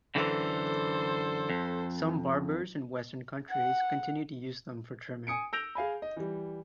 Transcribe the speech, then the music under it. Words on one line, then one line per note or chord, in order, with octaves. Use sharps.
Some barbers in Western countries continue to use them for trimming.
F#2 D3 E3 A4 C5
F2
F#5
G#5 D#6 C#7 D7
E6 G6 A#6 D7 F7
G#4 F5 G#5 B5
D#5
E3 G3